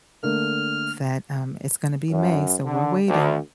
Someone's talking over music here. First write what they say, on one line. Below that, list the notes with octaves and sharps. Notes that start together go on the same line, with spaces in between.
that, um, it's gonna be May, so we're waiting.
D3 A3 A#3 F6
F#2
D3
D2